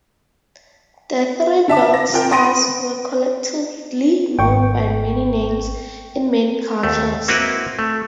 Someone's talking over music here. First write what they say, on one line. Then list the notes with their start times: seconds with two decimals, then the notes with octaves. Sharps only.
The three belt stars were collectively known by many names in many cultures.
1.68 D4 E5 A5 D6
1.94 A#6
2.13 C4 F4 A#4 G5
2.31 C6 D#6 A#6 D7 D#7
4.39 G#1 G5 C#6
6.83 D#2 A3
7.28 A#3 C4 E4 F#4 A#4 B4
7.79 A3